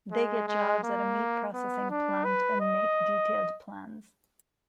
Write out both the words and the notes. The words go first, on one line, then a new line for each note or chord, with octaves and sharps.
They get jobs at a meat processing plant and make detailed plans.
G#3
G#3
A#3
B3
D4
B4
D#5